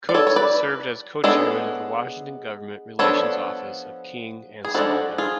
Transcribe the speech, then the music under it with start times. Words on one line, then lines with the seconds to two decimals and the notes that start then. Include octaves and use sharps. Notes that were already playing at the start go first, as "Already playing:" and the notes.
Coats served as co-chairman of the Washington government relations office of King and Spalding.
0.09 D5
0.14 A4 C#5
0.27 C#5
0.36 B4 D5
1.24 G#3 B3 D4 A4 C#5
2.99 F3 B3 D4 A4 C#5
4.65 G#4
4.74 F3 G#3 D4 F#4 A4
5.18 F4 G#4